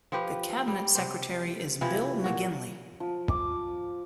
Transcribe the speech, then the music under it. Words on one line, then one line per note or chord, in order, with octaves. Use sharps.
The Cabinet Secretary is Bill McGinley.
F3 F4 G4 B4
G3
C3 G4 C5
C3 E3 F3 E4
A#2 F#4
F3
D6